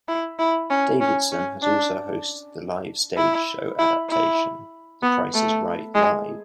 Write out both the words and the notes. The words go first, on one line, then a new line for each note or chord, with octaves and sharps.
Davidson has also hosted the live stage show adaptation, The Price Is Right Live!
E4
E4
C#4
C#4
C#4
D4
E4
E4
E4
B3
A3
G#3